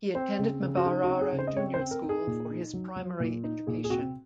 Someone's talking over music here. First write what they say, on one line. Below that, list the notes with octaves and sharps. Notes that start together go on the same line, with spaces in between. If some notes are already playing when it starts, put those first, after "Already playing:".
He attended Mbarara Junior School for his primary education.
C4 C5
C#3
C#3
F#4
D#4 G#4
F#4
C4
G#4
C#3
C5
D#5
C4 C#5
C5
C4
A#4
D#4
G#4
A#2
D#4
F#3
F#3
A#2
D#4
A#2 G#4
G#4
C4 F#4